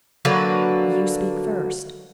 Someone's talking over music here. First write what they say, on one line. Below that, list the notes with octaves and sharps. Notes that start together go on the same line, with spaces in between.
"You speak first."
D3 F#3 A#3 B4